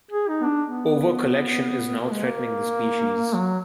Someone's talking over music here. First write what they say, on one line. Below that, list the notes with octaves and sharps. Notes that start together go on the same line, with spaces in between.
Over-collection is now threatening the species.
G#4
D#4
B3
D4
B3
A#3
G#3
A#3
F#3